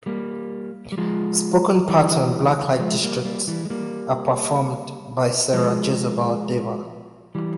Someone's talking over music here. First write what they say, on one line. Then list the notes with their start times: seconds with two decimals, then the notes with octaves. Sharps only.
Spoken parts on "Black Light District" are performed by Sarah Jezebel Deva.
0.06 G3 A#3
0.92 G3
0.98 F3 G#3
1.88 E3 G3
2.79 F3 G#3
3.03 G3 A#3
3.25 G3 A#3
3.47 E3 G3
3.65 G#3
3.70 G3 A#3
5.53 F3 G#3
7.35 E3 G3